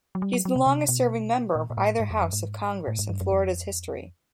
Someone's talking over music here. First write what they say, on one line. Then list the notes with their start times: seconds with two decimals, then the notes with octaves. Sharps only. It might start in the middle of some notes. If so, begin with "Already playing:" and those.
He is the longest-serving member of either house of Congress in Florida's history.
0.15 F#3
0.22 G3
0.33 F#3
0.45 F#3
0.56 C3
0.66 C3
0.89 B2
1.55 A#2
1.70 A#2
1.77 A2
2.00 G#2
2.10 F2
2.21 F#2
2.33 G#2
2.88 A2
2.99 G#2
3.09 G2
3.21 F#2
3.31 F2